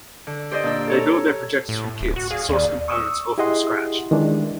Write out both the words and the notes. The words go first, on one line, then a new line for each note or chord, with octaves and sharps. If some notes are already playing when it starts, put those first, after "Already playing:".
They build their projectors from kits, sourced components, or from scratch.
D3
G4 C5 D5 D#5
A#2 D4 E6
A4 C#5 A#5
A2
D1
F#4
G#4 F5
D#2 F4 G#4 D5
C#6 D#6 E6
E4 G4 G#4 D#5 F#5 C6
D#3 E3 G#3 D4